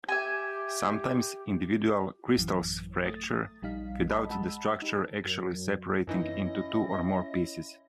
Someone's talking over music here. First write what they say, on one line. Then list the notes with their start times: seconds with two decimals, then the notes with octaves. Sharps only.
Sometimes, individual crystals fracture without the structure actually separating into two or more pieces.
0.09 G4 E5 G#5
2.37 A1 F#2 E3
3.04 A3 D#6 A6
3.62 A#1 G3 D#4 F5 B6
4.10 D#5 A5 B5
4.30 G#3 F#5 A5 B5 E6
4.82 D#4 G4
5.24 F#2
6.07 F#2 E3 C#4 D#4 E4 D#5